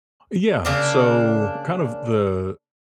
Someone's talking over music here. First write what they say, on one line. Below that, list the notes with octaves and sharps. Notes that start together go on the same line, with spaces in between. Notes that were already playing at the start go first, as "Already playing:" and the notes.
Yeah, so, kind of the
C#3 A#3 D4